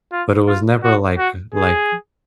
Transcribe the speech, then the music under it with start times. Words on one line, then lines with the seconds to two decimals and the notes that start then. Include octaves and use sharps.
but it was never, like uh, like,
0.12 F4
0.48 F4
0.84 F#4
1.18 F#4
1.54 G#4